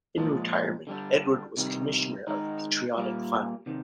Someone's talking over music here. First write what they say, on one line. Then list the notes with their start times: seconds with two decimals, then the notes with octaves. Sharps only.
In retirement Edward was a commissioner of the Patriotic Fund.
0.18 A#2 F3 G#3 D4
0.87 D3 G3 D4
1.57 C3 D#3 G3
2.27 D#3 G#3 D#4
2.97 A#2 G3 A#3
3.66 C3 D#3